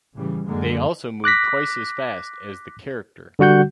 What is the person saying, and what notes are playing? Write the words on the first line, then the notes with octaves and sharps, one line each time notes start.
They also moved twice as fast as the character.
A2 C#3 E3 G3
F#2 D3 G#3 A#3
D6 F#6 A#6 B6
D3 G3 F#4 F#5 G6